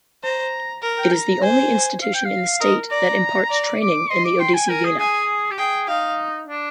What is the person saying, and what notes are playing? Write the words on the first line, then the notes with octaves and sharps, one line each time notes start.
It is the only institution in the state that imparts training in Odissi Veena.
C5 A#5
A#4
G5
A#5
C5 G#5
F5
G5
F5
A#4 D#5
D5 A#5
D5
D6
D#5 C6
D6
G5 C6
G#5
A#4 G#5
G#4
G#4 G#5
G4
G#4 G5
D#4 F5
D4